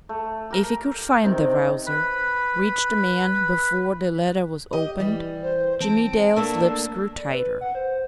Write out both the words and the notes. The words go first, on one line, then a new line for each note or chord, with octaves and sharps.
If he could find the Wowzer, reach the man BEFORE THE LETTER WAS OPENED--Jimmie Dale's lips grew tighter.
A3
G4 A#4
C3 D#3 G4
B4 B5
G4 D#5
E3 G3
C5
C4 A5 D7
A3 A#3 D4 E6
D5
B4
F#5
C5